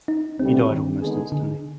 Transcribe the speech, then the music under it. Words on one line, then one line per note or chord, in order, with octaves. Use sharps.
He died almost instantly.
D#4
D2 C3 G3 C4
D#3
D3 G#3 B3 D#4 G#4
D3